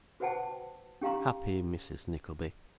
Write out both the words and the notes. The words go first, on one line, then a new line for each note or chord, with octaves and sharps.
Happy Mrs Nickleby!
F#4 B4 C5 F#5 G5 A5
C#4 G4 F5 A#5 C6